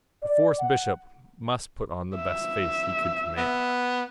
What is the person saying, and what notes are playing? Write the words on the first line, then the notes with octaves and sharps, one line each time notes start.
Perforce Bishop must put on the best face he could command.
D5
F#5
E5
B3